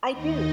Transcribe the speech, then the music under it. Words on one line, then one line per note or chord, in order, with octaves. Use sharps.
I do.
D#2 D#3 D#4 D#5